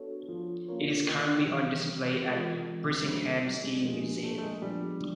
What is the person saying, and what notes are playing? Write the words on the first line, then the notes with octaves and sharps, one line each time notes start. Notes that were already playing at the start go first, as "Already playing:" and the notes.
It is currently on display at Bressingham Steam Museum.
Already playing: B3 D4 F#4 A4 C#5
F3
A#3 C#4 F4 A#4 C#5
D#3
C3 E3 G3
E3 G#3 C4 F4 A#4
C3
C#3 F#3 A3 C4
D3
G3
G#3
F3 G#3 A#3 D4 G4
A3
A3
G#3
A#2 F3 G3 G#3 B3 D4